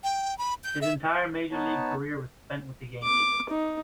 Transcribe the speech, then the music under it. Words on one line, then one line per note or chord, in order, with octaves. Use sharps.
His entire major league career was spent with the Yankees.
G5
B5
G6
E5
B3 D#4 B4 C#5 A5
D6
D#4